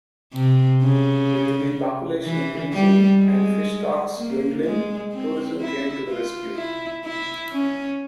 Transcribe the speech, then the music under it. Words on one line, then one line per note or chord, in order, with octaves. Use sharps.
With the population increasing and fish stocks dwindling, tourism came to the rescue.
C3
C#3
E3
G3
G#3
A#3
G#3
C4
E4
F4
E4
E4
C#4